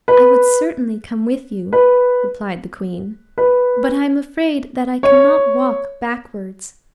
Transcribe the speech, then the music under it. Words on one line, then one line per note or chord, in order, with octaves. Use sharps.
"I would certainly come with you," replied the Queen, "but I am afraid that I cannot walk backwards."
B4
B4
B4
C#5